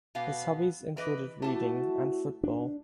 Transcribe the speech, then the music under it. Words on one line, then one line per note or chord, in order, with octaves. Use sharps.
His hobbies included reading and football.
B2 B3 F5
E3 B4 D#5
A3 E4 F#4 A5
D4